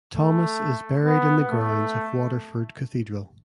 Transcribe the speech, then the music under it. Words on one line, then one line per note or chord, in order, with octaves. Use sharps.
Thomas is buried in the grounds of Waterford Cathedral.
A3
B3
A3